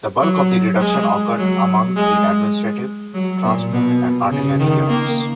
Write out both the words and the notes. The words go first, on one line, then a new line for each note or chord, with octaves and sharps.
The bulk of the reduction occurred among the administrative, transport and artillery units.
F#3
G#3
F#3
G#3
F#3
A#2
B2
C#3
D#3
A#3